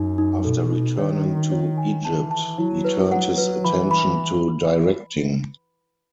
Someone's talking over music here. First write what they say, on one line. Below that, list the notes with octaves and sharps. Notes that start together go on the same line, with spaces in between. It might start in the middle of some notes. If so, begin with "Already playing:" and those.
After returning to Egypt, he turned his attention to directing.
Already playing: F#2 D#4
D#4
B2 A4
D#4
D#3 C#5
F#4
C#5
G#5
E3 A5
A5
F#3 E4
B4
F#3 F#5
B4
E3 B5
B5